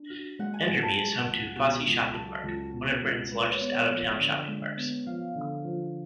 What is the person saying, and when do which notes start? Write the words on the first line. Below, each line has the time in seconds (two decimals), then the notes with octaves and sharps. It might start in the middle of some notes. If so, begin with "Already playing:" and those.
Enderby is home to Fosse Shopping Park, one of Britain's biggest out-of-town shopping parks.
Already playing: D4
0.10 F#4
0.39 G#3 F#5
0.54 G#5
0.68 G#2 G#5
0.83 A5
0.97 F#3 G#5
1.17 F#5
1.27 C#2
1.56 B2 F#4
1.85 C#2
2.14 F#3 A4
2.43 C#2
2.73 B2
3.02 C#2
3.31 G#3 B4
3.51 C#5
3.61 B3
3.70 D5
3.90 F3
4.19 D3
4.48 G#3
4.77 B3
5.06 F3 F5
5.35 D3
5.65 F3